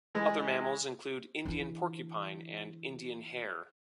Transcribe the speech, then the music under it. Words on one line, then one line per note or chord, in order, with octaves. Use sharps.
Other mammals include Indian porcupine and Indian hare.
E3 G#3
D3 E3